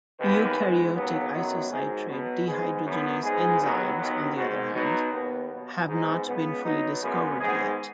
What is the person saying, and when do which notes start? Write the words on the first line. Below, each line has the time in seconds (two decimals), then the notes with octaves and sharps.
Eukaryotic isocitrate dehydrogenase enzymes on the other hand, have not been fully discovered yet.
0.19 D#2 D#3 G#3 B3 B4
0.57 G#2 G#3 B3
0.94 D#2 C#3 F#3 B3
1.33 F#2 D#3 F#3 B3
1.71 G#2 D#3 F#3 G#4
2.09 B2 F#3 B3
2.47 G#2 G#3 B3 G#4
2.85 F#2 F#3 B3
3.23 G#2 G#3 B3 G#4
3.61 D#2 D#3 F#3 B3
3.98 D#2 D#3 F#3 B3
4.37 G#2 D#3 G#3 F#4
4.74 B2 F#3 B3 D#4
5.12 D#2 D#3 B3
5.50 B2 F#3 B3
5.88 G#2 G#3 B3 D#4
6.27 C#2 C#3 B3
6.64 B2 F#3 B3 D#4
7.02 F#2 C#3 G#3 B3
7.40 G#2 D#3 B3 G#4